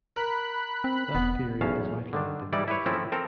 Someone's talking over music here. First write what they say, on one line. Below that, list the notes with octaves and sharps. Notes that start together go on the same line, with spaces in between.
That theory is outlined in the essay.
A#4 B5 F#6
C4
E1 B3
B1 E2 C#4 D#4 F5 A5
D3 D#3 D4
E3 G3 D#4 E4 D5
E4 G4 B4 C#5
F3 A3 C4 C#4 E4 F4
C4 A4 A#4